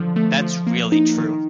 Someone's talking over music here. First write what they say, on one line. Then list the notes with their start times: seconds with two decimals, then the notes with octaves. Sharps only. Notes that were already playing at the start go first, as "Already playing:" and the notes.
That's really true.
Already playing: D3 F3
0.16 A3
0.41 F3
0.67 A#3
0.92 D#4
1.18 D#3